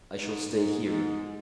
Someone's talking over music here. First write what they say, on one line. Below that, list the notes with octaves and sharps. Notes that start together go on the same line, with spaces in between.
I shall stay here.
G#2
G#2
G#2